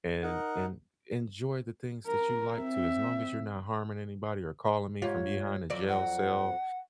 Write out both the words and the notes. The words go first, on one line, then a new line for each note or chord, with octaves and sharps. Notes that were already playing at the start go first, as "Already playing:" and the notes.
and and enjoy the things that you like to as long as you're not harming anybody or calling me from behind a jail cell.
D#4 A#4 F#5
A#4
C4 E5
G#2 F4 G4 C#5
F2 F#3 D5
F#5